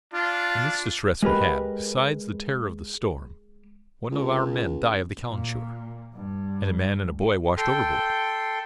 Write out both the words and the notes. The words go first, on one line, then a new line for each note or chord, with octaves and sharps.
In this distress we had, besides the terror of the storm, one of our men die of the calenture, and a man and a boy washed overboard.
D4 F4
G#3 G4 A#4 B4
C#2
A#2
G2
A4 G5 C6